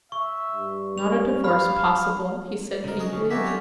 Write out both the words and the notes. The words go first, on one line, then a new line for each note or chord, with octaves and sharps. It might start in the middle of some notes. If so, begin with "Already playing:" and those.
"Is not a divorce possible?" he said feebly.
E5 C#6
G2
C#4 F7
F5 B5 F6
F2 C#3 G#3 A#4
F#4 G#4 D#5
D3 C#4
F#3 G#3 A#3 F#4 G4 E5 G#5
G3 A3 C#4 D4 F4